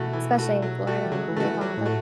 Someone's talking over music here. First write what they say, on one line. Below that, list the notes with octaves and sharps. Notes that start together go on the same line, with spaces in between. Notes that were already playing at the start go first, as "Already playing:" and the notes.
Especially in Florida, oh my God, that
Already playing: B2 E3 A3 F#4
E3
A3 F#4
F#3
A3 F#4
E3
C#3 F#3
E3
C#3 E3 A3 F#4
F#3
A2
A3 F#4